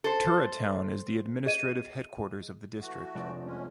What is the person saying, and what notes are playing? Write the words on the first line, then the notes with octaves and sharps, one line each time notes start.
Tura town is the administrative headquarters of the district.
A4 C5
G#4 D#5 D#7
E3 A3 F#4
F1 D4 G#4
E2 G#3 C#4